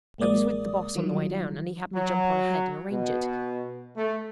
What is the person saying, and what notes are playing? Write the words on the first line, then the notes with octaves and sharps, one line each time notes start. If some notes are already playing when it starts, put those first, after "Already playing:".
I was with the Boss on the way down, and he had me jump on ahead and arrange it.
A1 G#3 A#3 D5 D#6
D#3 F#3 G3 F4
F#3
B2
A3